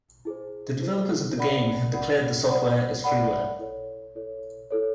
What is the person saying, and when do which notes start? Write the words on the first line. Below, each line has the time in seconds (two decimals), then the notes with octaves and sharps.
The developers of the game have declared the software as freeware.
0.25 E4 G#4 C5
0.82 E4 G#4 C5
1.36 A#4 D5 F#5 B5
1.92 A#4 D5 F#5 B5
2.48 A#4 D5 F#5 B5
3.04 A#4 D5 F#5 B5
3.59 E4 A4 C#5
4.15 E4 A4 C#5
4.70 E4 A4 C#5